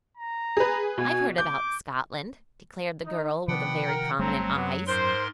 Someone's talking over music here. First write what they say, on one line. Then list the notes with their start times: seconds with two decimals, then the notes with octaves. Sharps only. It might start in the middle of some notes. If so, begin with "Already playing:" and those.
"I've heard about Scotland," declared the girl with the very prominent eyes.
0.17 A#5
0.57 G#4 B4
0.98 B2 G#5
1.38 D6 G6
3.06 D#4
3.48 C3 D#3 F3 B3 D4 B4 F#5 G5
3.86 A#4
4.19 G1 F#3 G3 A3 C4 A5 A#5
4.55 F#2 B3 F#4
4.87 G#2 A#4 C5 C6